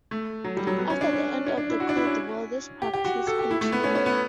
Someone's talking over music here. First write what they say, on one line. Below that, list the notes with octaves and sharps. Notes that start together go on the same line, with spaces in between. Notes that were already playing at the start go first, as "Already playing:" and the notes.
After the end of the Cold War this practice continued.
A3
F#3
G3
F#3
B3
C#4
D4
C#4
C#4
D4
E4
F#4
D4
E4
C#4
G4
G4
F#4
A4
G4
E4
A3
B3
C#4
C#4
B3